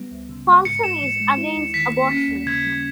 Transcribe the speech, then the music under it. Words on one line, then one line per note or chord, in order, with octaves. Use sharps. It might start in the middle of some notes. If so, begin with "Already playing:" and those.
Paulsen is against abortion.
Already playing: G3 B3
C#2
C#3
G#3
G#2 C#7
G#2 E7
E3
G#3
E4
D#2
D#3 B6
A#3
C#4
D#2
C#3 G#6
G3